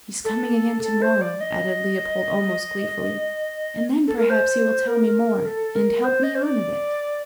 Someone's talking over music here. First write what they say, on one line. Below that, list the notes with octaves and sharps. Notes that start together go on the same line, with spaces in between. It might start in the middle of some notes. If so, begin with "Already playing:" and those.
"He's coming again to-morrow," added Leopold, almost gleefully, "and then perhaps he will tell me more, and help me on a bit!"
A4
A4
C5
D5
D#5
A4
A#4
C5
A#4
A4
A#4
C5
D#5
C5
D5